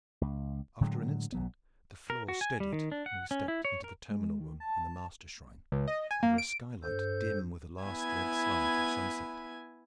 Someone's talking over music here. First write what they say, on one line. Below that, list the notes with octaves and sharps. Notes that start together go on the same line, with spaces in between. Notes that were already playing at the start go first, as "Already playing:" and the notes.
After an instant the floor steadied and we stepped into the terminal room in the Mastershrine, under a skylight dim with the last red slant of sunset.
C#2
A2 D3 F#3 G#3
B1 F#3 B3
A#4
F#4
G#5
G3
D#3
D4
F#5
C#4
E4
C#5
A#4
G#3
D#3
A5
C#2
D#5
G#5
A#3
D7
G2 A4 C5 G6
B3 E4 G#5 G#6